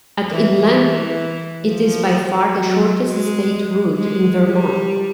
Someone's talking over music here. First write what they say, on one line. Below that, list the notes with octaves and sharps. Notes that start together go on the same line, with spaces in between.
At in length, it is by far the shortest state route in Vermont.
E3
E3
F3
F#3
G#3
G#3
G3